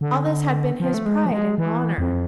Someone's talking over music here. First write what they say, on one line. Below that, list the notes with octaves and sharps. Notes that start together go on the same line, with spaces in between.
All this had been his pride and honor.
D3
F3
A3
G#3
F3
G#3
E3
F2